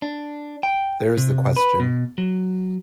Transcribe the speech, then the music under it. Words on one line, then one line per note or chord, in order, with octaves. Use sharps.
There is the question.
D4
G5
C3
B4
B2
F#3